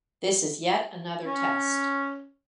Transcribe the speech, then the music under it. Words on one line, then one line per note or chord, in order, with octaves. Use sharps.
This is yet another test.
C#4